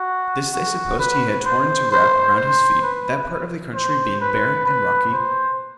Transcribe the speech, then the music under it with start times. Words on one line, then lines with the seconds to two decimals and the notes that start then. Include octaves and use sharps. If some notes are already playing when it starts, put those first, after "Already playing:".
This they supposed he had torn to wrap round his feet; that part of the country being barren and rocky.
Already playing: F#4
0.53 F#4
0.99 B4
1.45 C5
1.91 C5
2.37 C5
2.82 B4
3.75 C5
4.21 B4
4.66 B4
5.13 C5